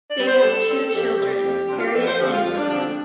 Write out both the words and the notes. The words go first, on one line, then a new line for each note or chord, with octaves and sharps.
They have two children: Harriet and William.
D5
G3 C4
C5
G2 A4
G3 C4
A4
F2 G4
C3 G3
F2
C3 G3 D4
F4
G4
F2 A4
C5
D3 F3 C4 G4
F4
F2 F4
D4
D3 F3 C4 D4
D4